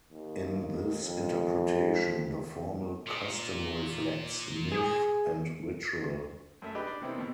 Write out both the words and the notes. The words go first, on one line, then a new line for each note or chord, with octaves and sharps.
In this interpretation, the formal custom reflects myth and ritual.
D#2
F2
A#2
G#4
F#2 A3 E5
D4 G4 B4 D#5 G5 B5
D4
C3 D#3 B3 C4 D4 E4
D#2 B2